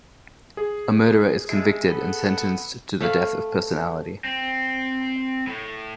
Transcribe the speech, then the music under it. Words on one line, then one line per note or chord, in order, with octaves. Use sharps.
A murderer is convicted and sentenced to the death of personality.
G#4
G#3 E5 A5
B3 A4 F#5
A3 F5 B5
C4
A2